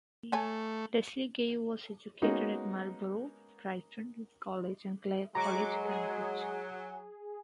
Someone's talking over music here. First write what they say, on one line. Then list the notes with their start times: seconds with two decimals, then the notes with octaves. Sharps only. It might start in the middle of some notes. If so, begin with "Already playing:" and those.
Leslie Gay was educated at Marlborough, Brighton College and Clare College, Cambridge.
0.32 A3 C#5 G#5 A5
2.22 G#3 A#3 B3 C#4 D#4 F#4
5.35 F#3 G#3 F#4 A#5 C#6 D6
5.85 G#4